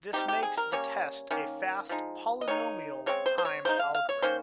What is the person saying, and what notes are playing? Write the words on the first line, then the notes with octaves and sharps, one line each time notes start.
This makes the test a fast polynomial-time algorithm.
G3 C4 D#4 G4
G4
G#4
A#4
G3 A#3 C#4 C#5
D#3 A#3 C#4
F3 G#3 D#4
D#5
D#3 G#3 D#4 C#5
C#3 G#3 C4 C#5
C5
C5
C#5
C#3 G#3 D#4 C5
F5
F5
C#5
D#3 A#3 C#4 C5